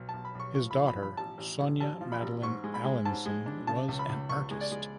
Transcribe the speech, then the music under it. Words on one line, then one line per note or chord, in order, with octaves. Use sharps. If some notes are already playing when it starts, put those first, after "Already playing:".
His daughter Sonya Madeleine Allinson was an artist.
Already playing: B1
A5
B1
B5
B1 C#6
F3 C#6
B5
F3
B5
F3
B5
A1 A5
A1
A1
A1 A5
F3
B5
A1
G#2 C#6
G#3
B5
G#3
G#2 A5
G#3
D4
C#3 A5
C#2
B5
C#2
C#2 C#6
G#3
D5
G#3